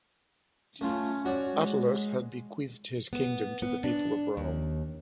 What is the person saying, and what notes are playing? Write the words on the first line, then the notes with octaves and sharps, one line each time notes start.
Attalus had bequeathed his kingdom to the people of Rome.
A3 C#4 F4
F#4 C#5 D5
G#3
B3
B3
D4
D#2